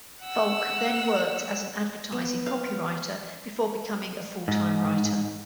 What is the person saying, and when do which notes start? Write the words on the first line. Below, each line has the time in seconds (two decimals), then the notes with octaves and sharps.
Volk then worked as an advertising copywriter before becoming a full-time writer.
0.23 F#5 E6
2.12 B3
2.46 F5
4.48 G#2